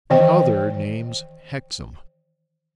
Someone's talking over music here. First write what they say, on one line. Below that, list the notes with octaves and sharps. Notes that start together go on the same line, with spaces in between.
The other name's Hexam.'
D#3 E3 C5 D#5 G5